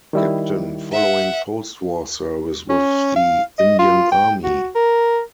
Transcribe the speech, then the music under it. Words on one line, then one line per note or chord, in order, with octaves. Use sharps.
Captain following post war service with the Indian Army.
D#3 G3 E4
E5 F#5
C#4
F5
D#5
F4
G5
F#4
A#4